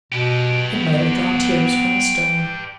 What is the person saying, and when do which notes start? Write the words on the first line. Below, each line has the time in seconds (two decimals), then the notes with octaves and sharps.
It might have drawn tears from a stone.
0.12 B2 G4 B4
0.74 B3